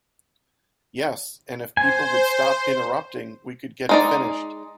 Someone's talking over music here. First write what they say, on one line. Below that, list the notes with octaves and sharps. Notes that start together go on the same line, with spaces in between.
Yes, and if people would stop interrupting we could get it finished.
C5 G#5
G#3 D#4 D5